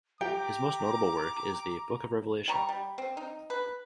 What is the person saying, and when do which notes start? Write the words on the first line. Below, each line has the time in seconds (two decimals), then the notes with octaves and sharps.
His most notable work is the "Book of Revelation".
0.21 G4 G5 A#5 D6
2.48 G3 A#5 C#6
2.69 G3
2.98 C4
3.17 D#4
3.50 B4